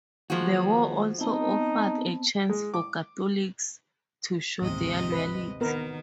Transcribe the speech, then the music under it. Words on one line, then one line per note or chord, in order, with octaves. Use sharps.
The war also offered a chance for Catholics to show their loyalty.
D#2 F3 G#3 F#4 A#4
B3 C4 D#4 D#5 A5
G#3
D6
A1 D#2 G#2 C3 D#5
B4
D#3 B3 A#4